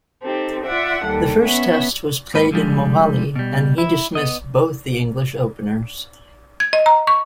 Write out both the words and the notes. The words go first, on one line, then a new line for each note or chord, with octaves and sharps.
The first Test was played in Mohali, and he dismissed both the English openers.
C4 D#4 G4 A4
F4 D5 E5 F#5
D#2 G3 A4
B3 C#4 C#5 E5 F#5
D#2 G#2 B4
D3 F3 G3 G#3
B2 G3
E4
B3 D#5
G#6
D#5
A#5
C#6